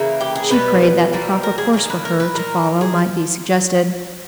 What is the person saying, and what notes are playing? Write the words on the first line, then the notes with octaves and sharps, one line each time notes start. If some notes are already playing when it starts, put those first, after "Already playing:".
She prayed that the proper course for her to follow might be suggested.
Already playing: C#3 E3 A#3
G4
G#4
B2 G3 B3 B4
B2 G3 A#3
A#4
G#4
D#3 A#3 G#4
B4
A#4
B4
A#2 A#3 A#4
G#4